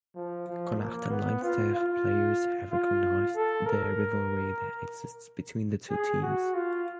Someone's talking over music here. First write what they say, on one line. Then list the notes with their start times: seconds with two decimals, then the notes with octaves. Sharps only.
Connacht and Leinster players have recognized the rivalry that exists between the two teams.
0.15 F3
0.48 F3
0.79 A#3
1.11 B3
1.43 F4
1.75 F4
2.71 F4
3.35 A4
3.66 A#4
5.90 G#4
6.22 F#4
6.54 F4